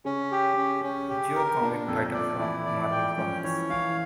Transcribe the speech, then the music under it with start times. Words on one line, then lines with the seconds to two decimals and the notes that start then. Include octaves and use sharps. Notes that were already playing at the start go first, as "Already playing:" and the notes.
Joe comic title from Marvel Comics.
0.05 C#3 C#4
0.32 G4
0.57 C#4
0.84 C#4
1.09 G4
1.35 A#4
1.61 A#2 D4
1.87 F2 A4
2.13 F2 D5
2.39 E3 E4
2.66 D5
2.92 G5
3.17 F3 C#4
3.43 E3 C#5
3.70 E3 F5